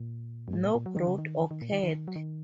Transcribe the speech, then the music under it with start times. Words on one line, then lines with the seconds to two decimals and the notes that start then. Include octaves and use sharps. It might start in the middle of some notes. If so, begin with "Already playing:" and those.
No growth occurred.
Already playing: A#2
0.48 F#2
0.53 G#2
0.64 A#2
0.75 A#2
0.86 F#3
0.97 D#3
1.07 C#3
1.18 D#3
1.51 D#3
1.62 A#2
1.73 D#3
1.83 D#3
2.08 F#3
2.16 D#3